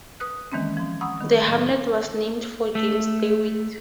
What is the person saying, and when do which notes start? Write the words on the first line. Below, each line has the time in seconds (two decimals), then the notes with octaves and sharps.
The hamlet was named for James DeWitt.
0.20 B4 D#6 F#6
0.52 D#3 E3 G#3 A#3 C4 C#4
0.77 F3 C4
1.01 F#5 A#5 B5 C#6 D#6 E6
1.18 D#3 G3
1.46 A2 D#3 F#3 B3
2.75 A3